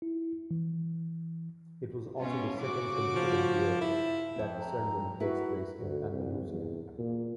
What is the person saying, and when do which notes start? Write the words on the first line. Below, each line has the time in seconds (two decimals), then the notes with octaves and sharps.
It was also the second consecutive year that the ceremony takes place in Andalusia.
0.02 E4
0.51 E3
2.19 B2 C#4 F4
2.58 C#3 F#4 D6
3.16 F3
3.81 E4
4.36 F2 C4
4.60 A#5
5.20 E4 F#4 B4
5.80 D2
6.10 C2
6.46 E2
6.98 A#2